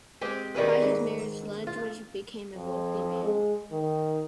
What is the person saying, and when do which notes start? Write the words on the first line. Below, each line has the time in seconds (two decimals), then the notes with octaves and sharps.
By his marriage, Ludwig became a wealthy man.
0.21 G#3 C4 G4 G#4
0.55 D#3 G3 G#4 B4
0.82 G#2
1.67 F4
2.55 F2
3.24 G#3
3.72 D#3